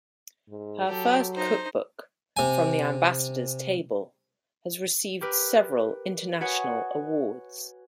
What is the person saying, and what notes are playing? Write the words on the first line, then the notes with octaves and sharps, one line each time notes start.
Her first cookbook, "From the Ambassador's Table", has received several international awards.
G#2
F#3 G4 A4
D#4 C5
C3 G#5
G4 A#4 B4 F6
F#4 B4 C#5 F#5 G#5 D#6